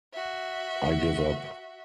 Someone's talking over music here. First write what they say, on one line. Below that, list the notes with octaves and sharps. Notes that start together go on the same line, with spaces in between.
I give up.
F#4 E5